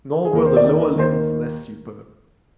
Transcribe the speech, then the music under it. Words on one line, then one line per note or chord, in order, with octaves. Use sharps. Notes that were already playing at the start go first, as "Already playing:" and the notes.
Nor were the lower limbs less superb.
G#4
D#2 A#4
C5
D5
D#3
A#4
D#2 C5
A#4